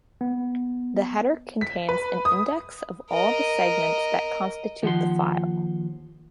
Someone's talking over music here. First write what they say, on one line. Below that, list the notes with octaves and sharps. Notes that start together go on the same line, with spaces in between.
The header contains an index of all the segments that constitute the file.
B3
B6
B4
D#6
A#4 D#5
D#2 F3 F#5 C6